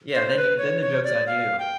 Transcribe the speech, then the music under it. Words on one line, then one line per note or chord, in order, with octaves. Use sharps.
Yeah, then then the joke's on you.
C5
B4
C#5
C#5
D5
F5
G5